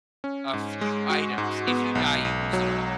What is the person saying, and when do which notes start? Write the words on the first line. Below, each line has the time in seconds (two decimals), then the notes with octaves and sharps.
a few items if you die, you lose it all.
0.24 C#4
0.53 G#2
0.81 G#3
1.10 F#4
1.38 G#2
1.68 B3
1.95 B1
2.25 B1
2.53 F#3